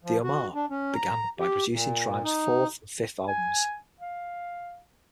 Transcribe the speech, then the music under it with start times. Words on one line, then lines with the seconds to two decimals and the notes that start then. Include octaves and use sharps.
The Ummah began by producing Tribe's fourth and fifth albums.
0.04 F3
0.23 F#4
0.54 D4
0.70 C#4
0.94 A#5
1.40 G4
1.72 A#2
2.24 D#4
3.28 G#5
4.00 F5